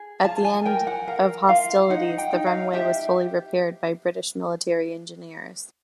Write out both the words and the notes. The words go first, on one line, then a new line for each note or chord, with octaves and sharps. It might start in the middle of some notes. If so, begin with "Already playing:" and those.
At the end of hostilities the runway was fully repaired by British military engineers.
Already playing: G#4
F4 A5
G#5
A#4 G5
F#5
A#4 F5
F4 F5
D#4 F#5
G5
D#4
F5
G4 E5